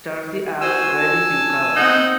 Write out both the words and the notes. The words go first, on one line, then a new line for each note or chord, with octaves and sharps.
Tarsi are reddish in color.
F#4 C5 G#5 E6
A5
C4 D#4 F#5